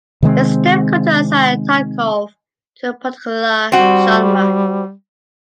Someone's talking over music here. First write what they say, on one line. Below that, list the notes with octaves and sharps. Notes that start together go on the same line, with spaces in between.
It’s difficult to assign Talkov to a particular genre.
C3 D#3 G#3 C4
G3 C4 F#4